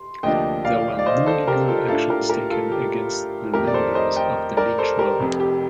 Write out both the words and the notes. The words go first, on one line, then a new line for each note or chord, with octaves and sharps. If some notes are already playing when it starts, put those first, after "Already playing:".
There were no legal actions taken against the members of the lynch mob.
Already playing: C6
D2 C3 F3 A#3 D4 D#5 G5
D5 F5
D5
C5 D#5
A4 C5
G4 A#4
F4 A4
A2 A3 D4 F4 A4
G4 A#4
G4 A#4
F4 A4
G4
F2 D#3 A3 G4 A#4
D5
A4 C5
C5 D#5
D#5 G5
A#4 D5
A4 C5
G4 A#4
F1 F2 C3
G4